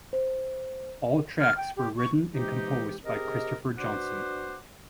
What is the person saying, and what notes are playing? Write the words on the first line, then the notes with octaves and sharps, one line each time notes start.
All tracks were written and composed by Christofer Johnsson.
C5
F6
G5
G4
C#6
C3 E3 G#3 D#4 G4
C4 G4 G#4 A#4 D#5
D4 F#4 B4 C5 F#5 D6